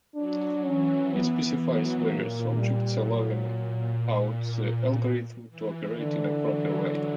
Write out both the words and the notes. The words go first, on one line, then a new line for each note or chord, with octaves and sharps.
It specifies various "objects" allowing out the algorithm to operate in a proper way.
F#3 D4
E3 C#4
E3 B3
F#3
A#2 A#3
G3
F#3
A#2
A#2
E3
D3
F#3